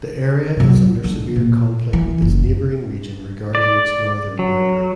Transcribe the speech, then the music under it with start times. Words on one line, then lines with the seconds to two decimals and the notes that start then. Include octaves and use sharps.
The area is under severe conflict with its neighbouring region regarding its northern boundary.
0.57 F#2 C3
0.76 F#3
1.04 D3 G#3
1.36 A#2
1.93 E3
2.22 F#1
3.55 D5
4.39 F#3